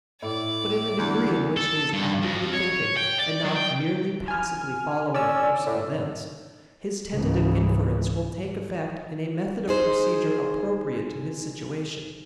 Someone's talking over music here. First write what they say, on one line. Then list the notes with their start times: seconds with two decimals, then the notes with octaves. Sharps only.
But in the degree in which he is actively thinking, and not merely passively following the course of events, his tentative inferences will take effect in a method of procedure appropriate to his situation.
0.22 A2 D5
0.99 E2 D3
1.57 A4
1.93 G2
2.22 F2
2.53 C#5
2.97 G5
3.19 D5
3.44 F#3
3.56 G5
4.28 G#5 F6
5.14 C#4 D5 E6
5.66 A2
7.15 C#2 G#2 C#3 E3
9.68 D#4 G#4 C5